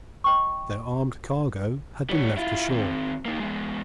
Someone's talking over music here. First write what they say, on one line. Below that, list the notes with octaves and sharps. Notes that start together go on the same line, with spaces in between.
Their armed cargo had been left ashore.
D#5 G5 C#6
G3 C#5
E4 F4
D#3 C4
A#3 D#4
G#3 B3